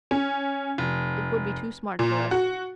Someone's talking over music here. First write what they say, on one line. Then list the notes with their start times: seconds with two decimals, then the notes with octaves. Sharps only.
It would be too smart for us.
0.11 C#4
0.78 F1
1.99 A#2
2.31 F#4